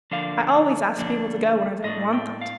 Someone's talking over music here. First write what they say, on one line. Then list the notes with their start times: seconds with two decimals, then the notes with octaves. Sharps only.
"I always ask people to go when I don't want them to."
0.11 D3 F3 A#3 D4 F5
0.98 D3 F3 A#3 D4
1.84 A2 A3 D4 D#5
2.13 G5
2.41 F5